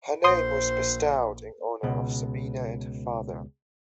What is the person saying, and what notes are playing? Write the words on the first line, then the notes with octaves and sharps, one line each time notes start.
Her name was bestowed in honor of Sabina and her father.
A#1 C5 C6 D#6
C#2 B2